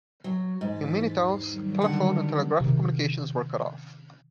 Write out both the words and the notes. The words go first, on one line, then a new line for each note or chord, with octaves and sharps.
In many towns, telephone and telegraphic communications were cut off.
F#3
G#2 E3 A6 B6
E2 C7
D#3 F#3 G3
D3 F#5
C3 D#3